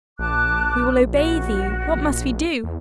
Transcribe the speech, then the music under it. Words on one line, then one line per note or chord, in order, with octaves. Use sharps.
We will obey thee, what must we do?
A#1 A5 D6 F#6
F#4
E2